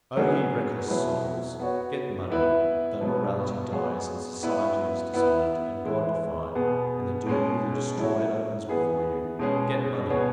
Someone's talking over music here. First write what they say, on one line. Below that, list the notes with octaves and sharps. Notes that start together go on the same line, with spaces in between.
O ye reckless souls! get money--though morality dies, and society is dishonored, and God defied, and the doom of the destroyed opens before you--get money!
F#3 B3 G#4
B2 F#3 E4 B4
B3 F#4 C#5
B3 E4 B4
B2 F#3 B3
F#3 B3 G#4 C#5
B3 E4 B4
B3 E4 B4
E3 G#3 B3 E4
B2 B3 G#4
B2 G#3 C#4
F#3 E4 C#5
E3 B3 G#4 B4
B2 G#3 C#4 G#4
B2 B3 G#4 C#5